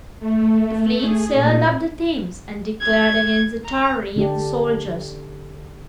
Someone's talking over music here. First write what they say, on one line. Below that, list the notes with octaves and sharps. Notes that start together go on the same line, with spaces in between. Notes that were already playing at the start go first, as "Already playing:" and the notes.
The fleet sailed up the Thames, and declared against the tyranny of the soldiers.
A3
G#4
A#2
G#6
A#5
D3 D4 G4